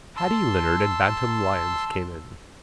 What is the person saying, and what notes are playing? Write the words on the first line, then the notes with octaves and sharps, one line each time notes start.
Paddy Leonard and Bantam Lyons came in.
A5 C6 E6